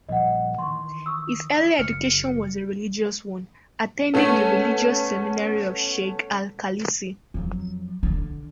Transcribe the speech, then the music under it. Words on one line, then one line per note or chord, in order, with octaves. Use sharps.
His early education was a religious one, attending the religious seminary of Sheikh Al-Khalisi.
A#2 F3 G3 D#5 F#5
D#3 E3 C6 C#6
C#6 D#6 E6
F#1 F6 C#7
A3 B3 C#4 A4
F2 F#3
D3